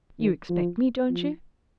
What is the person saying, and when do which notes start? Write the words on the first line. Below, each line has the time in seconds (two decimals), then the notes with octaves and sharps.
'You expect me, don't you?'
0.19 D#3
0.49 F3
1.10 F3